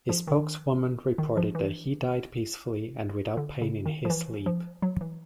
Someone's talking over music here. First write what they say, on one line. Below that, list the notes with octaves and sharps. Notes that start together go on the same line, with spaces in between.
His spokeswoman reported that he died "peacefully and without pain in his sleep".
F3
D#3
D#3
F3
E3
D3
C#3
D#3
F3
E3
F3
F#3
E3